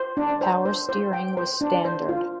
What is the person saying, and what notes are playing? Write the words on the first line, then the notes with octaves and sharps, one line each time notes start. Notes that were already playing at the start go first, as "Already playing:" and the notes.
Power steering was standard.
Already playing: C5
D4
C5
C5
C5
G5
C5
D4
C5
F4